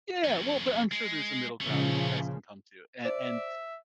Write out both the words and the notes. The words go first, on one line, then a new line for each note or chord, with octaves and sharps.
Yeah, well, but I'm sure there's a middle ground that you guys can come to and and
F2 C#4
G#3
A#2 C#3 F3 A3 C#4
C5 D5 E5